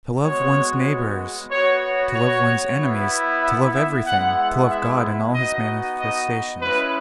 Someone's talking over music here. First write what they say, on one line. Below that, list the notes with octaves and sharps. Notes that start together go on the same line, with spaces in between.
To love one's neighbors, to love one's enemies, to love everything, to love God in all His manifestations.
G#3 B3 F#4 C#5
B3 F#4 C#5
C#5
B3 E4
E5
E5
G#3 B3 E4 F#5
F#5
E5
B3 D#4 F#4 D#5
D#5
G#3 C#4 E4 B4